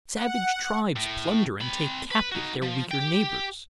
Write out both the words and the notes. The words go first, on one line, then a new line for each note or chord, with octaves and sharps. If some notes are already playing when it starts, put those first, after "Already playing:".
Savage tribes plunder and take captive their weaker neighbors.
F#5
A2
C4 B5
B4
D#4 F#4
F3
G4 G5